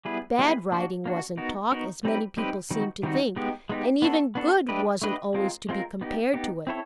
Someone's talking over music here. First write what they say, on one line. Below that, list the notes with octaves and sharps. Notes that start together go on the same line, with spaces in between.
Bad writing wasn't talk, as many people seemed to think, and even good wasn't always to be compared to it.
G3 B3 E4 G#4 B4
G3 B3 E4 G#4 B4
A#3 D4 F#4
A#3 D4 F#4
B3 D#4 F#4 A#4
B3 D#4 F#4 A#4
G3 C4 D#4 G4 B4
G3 C4 D#4 G4 B4
D#3 G3 C4 D#4 F#4
D#3 G3 C4 D#4 F#4
G#3 B3 D#4 G4
G#3 B3 D#4 G4
B3 D4 F#4 A4
B3 D4 F#4 A4
A3 D4 G4 B4 D#5
A3 D4 G4 B4 D#5
G#3 C4 F4 A#4
G#3 C4 F4 A#4
B3 D#4 G4
B3 D#4 G4
C4 E4 A4 C#5